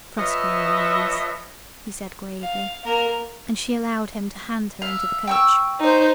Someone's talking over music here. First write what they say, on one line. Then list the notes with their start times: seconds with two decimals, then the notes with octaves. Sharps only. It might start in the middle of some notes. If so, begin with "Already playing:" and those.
"Trust me, your highness," he said, gravely, and she allowed him to hand her into the coach.
0.18 F3 B4 C#5 D#5 E5
2.41 F5
2.84 A#3 A#4
4.82 E5 F5
5.27 G5 C#6 E6
5.80 D#4 C5